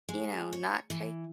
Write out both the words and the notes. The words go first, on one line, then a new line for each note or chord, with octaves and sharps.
you know, not take
G#3
C#5
E3